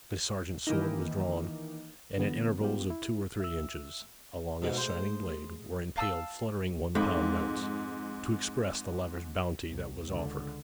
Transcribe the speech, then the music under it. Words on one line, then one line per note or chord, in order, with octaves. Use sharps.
The sergeant's sword was drawn, and at intervals of two or three inches along its shining blade were impaled fluttering one-pound notes, to express the lavish bounty that was offered.
D#3 E3 A#3 D#4
D3 E3 B3
G3 B3 F4 G4
E4
E5 E6
G#2 B2 G#3 A3 G4
C5
F5 A5 D#6 E6
F2 G#2 B5
C2
C#2 D3